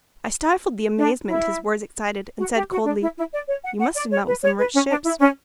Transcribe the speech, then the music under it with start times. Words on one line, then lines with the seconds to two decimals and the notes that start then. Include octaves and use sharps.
I stifled the amazement his words excited, and said coldly, "You must have met with some rich ships."
0.98 D4
1.29 E4
2.39 F#4
2.55 G4
2.71 F#4
2.85 D4
3.01 E4
3.17 E4
3.33 D5
3.48 C#5
3.64 F#5
3.80 F#5
3.96 D5
4.11 C#5
4.27 B4
4.43 C#5
4.58 B4
4.74 C#4
4.90 D4
5.06 E4
5.21 C#4